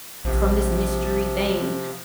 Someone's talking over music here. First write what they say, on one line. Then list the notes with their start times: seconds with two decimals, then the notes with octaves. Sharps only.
from this mystery thing."
0.25 A#1 C3 F3